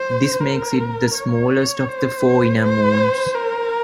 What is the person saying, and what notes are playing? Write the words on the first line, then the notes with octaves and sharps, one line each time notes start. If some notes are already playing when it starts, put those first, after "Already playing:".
This makes it the smallest of the four inner moons.
Already playing: C5
A#4
C#5
C5
C5
A#4